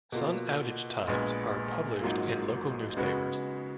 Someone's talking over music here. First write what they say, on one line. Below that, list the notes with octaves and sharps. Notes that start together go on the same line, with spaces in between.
Sun outage times are published in local newspapers.
B2 A#3 F4
A#1 A#2 G#3 B3
G#1 G#2 F#3 A#3 F4
C#3 G#3 B3 F#4